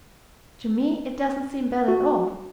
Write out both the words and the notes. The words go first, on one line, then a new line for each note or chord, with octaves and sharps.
To me, it doesn't seem bad at all.
F#4